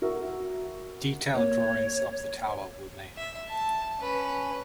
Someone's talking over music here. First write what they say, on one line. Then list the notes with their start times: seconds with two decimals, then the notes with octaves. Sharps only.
Detailed drawings of the tower were made.
0.02 F#4 A#4 E5
1.34 A#3 C#5
3.17 E5
3.49 A5
3.99 C#4 B4